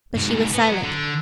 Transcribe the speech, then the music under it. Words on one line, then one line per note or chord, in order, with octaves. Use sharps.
But she was silent.
G#2 B2
B3
F#3
D3